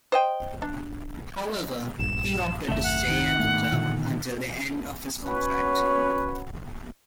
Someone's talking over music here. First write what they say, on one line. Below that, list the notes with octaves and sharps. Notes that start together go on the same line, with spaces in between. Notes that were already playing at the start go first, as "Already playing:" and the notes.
However, he opted to stay at the club until the end of his contract.
C5 D#5 G5
D4
A#1 G2 E7
F#1 D#2 C3 A3 E5
F#5
A2 D#3 D#4
G#2 A3
A#2 D3 E3
C#4 F#4 B4 C#5